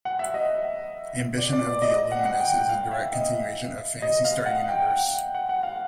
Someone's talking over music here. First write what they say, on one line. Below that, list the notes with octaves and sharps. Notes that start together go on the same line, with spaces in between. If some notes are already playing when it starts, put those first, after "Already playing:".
"Ambition of the Illuminus" is a direct continuation of "Phantasy Star Universe".
F#5
E5
D#5
D5
D5
D5
D#5
F#5
F#5
G5
G5
F5
E5
D#5
D#5
F5
F#5
G5
F#5
F#5
F#5
F5